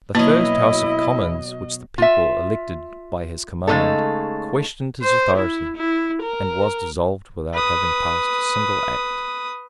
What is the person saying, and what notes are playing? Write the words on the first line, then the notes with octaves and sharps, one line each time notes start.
The first House of Commons which the people elected by his command, questioned his authority, and was dissolved without having passed a single act.
B2 F#3 A#3 E4 D#5
F4 E5
C#3 G#3 A3 D#4 A4
C5
E4
E4
A#4
B4 D#6